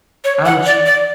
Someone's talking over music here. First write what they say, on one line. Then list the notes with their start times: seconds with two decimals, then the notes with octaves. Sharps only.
I'm tr
0.24 C#5
0.46 F#5
0.66 D5
0.86 D5